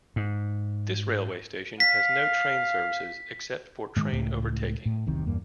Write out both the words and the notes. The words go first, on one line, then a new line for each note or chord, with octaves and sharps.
This railway station has no train services except for train overtaking.
G#2
F5 B6
G#2 D#3 G#3
C#2 A2
A2
E1 B1 C3 D#3
E2 G2 A#3